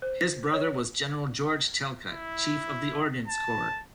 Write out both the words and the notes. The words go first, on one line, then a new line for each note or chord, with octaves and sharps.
His brother was General George Talcott, Chief of the Ordnance Corps.
C5
C#5
E4
A5